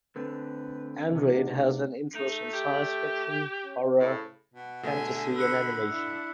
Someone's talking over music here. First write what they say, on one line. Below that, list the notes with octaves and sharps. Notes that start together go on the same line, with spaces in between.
Andrade has an interest in science fiction, horror, fantasy and animation.
D3 A3 C4 B4
C3 G#3
A3 B3 D4 D#4
A3 D#4
G4
C#4
A2 C#3
B2
B2 D3 A3 E5 G#5
B5 E6 F#6 C#7
D4 E4